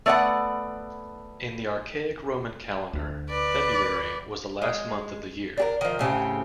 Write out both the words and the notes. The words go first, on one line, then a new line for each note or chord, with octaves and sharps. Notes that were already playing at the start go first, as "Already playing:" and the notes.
In the archaic Roman calendar, February was the last month of the year.
A3 B3 D5 D#5 F#5
D2
B4 D5
G#3
D4 G4 A#4
D#3 F3
A2 C#3 C4 G4